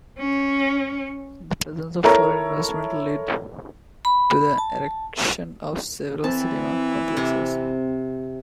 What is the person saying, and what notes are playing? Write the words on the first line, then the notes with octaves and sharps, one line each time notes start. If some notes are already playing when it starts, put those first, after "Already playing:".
The presence of foreign investments led to the erection of several cinema complexes.
C#4
E4 A4 A#4 C#5 A#5
B5
A5
E3 C4 E4 A5
C3